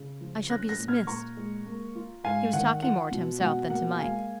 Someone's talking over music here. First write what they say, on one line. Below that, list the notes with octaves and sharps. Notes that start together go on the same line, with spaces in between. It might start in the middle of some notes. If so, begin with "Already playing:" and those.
I shall be dismissed.' He was talking more to himself than to Mike.
Already playing: C#3
F3
C#4 F#6 A#6
F#6 A#6
A#2
F6 G#6
A#2 A#5 C#6
G#3
A#3
F4
G#2 F5 G#5
D#3 F#5
F4 F#5
B2
B2 F#5
A#3 F#5
G#3 F5 G#5